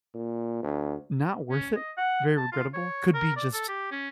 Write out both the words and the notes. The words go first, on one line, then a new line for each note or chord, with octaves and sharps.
not worth it, very regrettable." Could be just
A#2
D2
C#4
D#5
F#5
A5
F4
C#5
A#4
D5
A4
G4
C#4